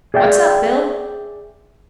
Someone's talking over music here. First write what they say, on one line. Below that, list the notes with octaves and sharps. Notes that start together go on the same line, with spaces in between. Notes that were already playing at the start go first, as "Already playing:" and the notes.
"What's up, Bill?"
G#4 D5 E5 G5